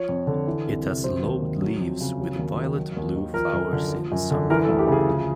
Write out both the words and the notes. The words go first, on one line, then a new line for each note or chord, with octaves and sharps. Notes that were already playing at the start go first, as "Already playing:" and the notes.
It has lobed leaves with violet-blue flowers in summer.
Already playing: F3 C#5
F2
D3
E3
C2
C3
F#3 C5
D#2
D#3
F#3
F2
C#3
F#3
D#2
D#3
F#3
D#2
D#3
F3 A#4
F#2
D3
F3
F#2
D3
E3 A#4
A4
D2
G4
C#3 G#4
F3